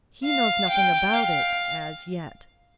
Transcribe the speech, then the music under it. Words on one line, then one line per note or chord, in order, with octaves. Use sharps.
"He knows nothing about it,--as yet."
F5
G5
F5